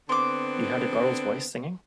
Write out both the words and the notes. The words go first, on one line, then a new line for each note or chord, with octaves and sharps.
You heard a girl's voice singing?
D3 B3 C4 C6 D6